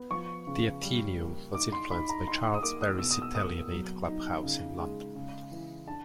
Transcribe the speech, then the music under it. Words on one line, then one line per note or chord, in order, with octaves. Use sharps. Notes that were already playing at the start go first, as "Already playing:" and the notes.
The Athenaeum was influenced by Charles Barry's Italianate club house in London.
Already playing: B3
F3 C#6
C#3
G3
A#3
D#4 D6
C6
D#4 B5
A#5
D#4 C6
D#6
A#3 D6
D#6
B2 E6
D#6
E6
A#3 D#6
F#3
D#4
C#3
G#3
C#3
E3
D4 A5